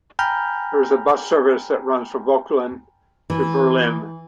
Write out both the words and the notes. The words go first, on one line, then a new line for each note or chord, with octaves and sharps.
There is a bus service that runs from Vogtland to Berlin.
G5 G#5 A#5 B5 F6 G6
E3